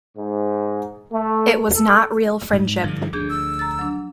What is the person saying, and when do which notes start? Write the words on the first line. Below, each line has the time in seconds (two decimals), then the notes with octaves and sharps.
It was not real friendship.
0.17 G#2
1.12 A3
1.74 A4
2.53 G#2
2.84 G2 D3 E3 F3
3.13 D2 D4 G#4 G6
3.30 E6
3.59 A#5 A6
3.79 F#3 D4